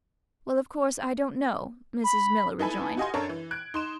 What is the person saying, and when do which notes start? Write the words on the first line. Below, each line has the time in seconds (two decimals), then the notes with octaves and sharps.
"Well, of course, I don't know," Mrs. Miller rejoined.
2.04 B5
2.59 D#4 E4 A4 B4 G#5 B5
2.97 F#4 G4 D#5 F5 G#5 C6
3.14 F#2 D4 A4 A#4 C#5
3.29 E3
3.51 F#6 G#6 D7
3.74 D#4 C6 E7